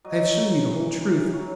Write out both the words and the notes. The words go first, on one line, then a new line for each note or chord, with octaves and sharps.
I have shown you the whole truth!
F#3 D#5
F#3
E3
E3
F#3 C#5